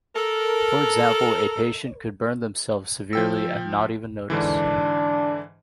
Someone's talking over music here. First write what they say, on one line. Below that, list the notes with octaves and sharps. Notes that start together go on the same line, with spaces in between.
For example, a patient could burn themselves severely and not even notice.
A4 A#4
F3 G5 E6
G#2 D3 E3 D4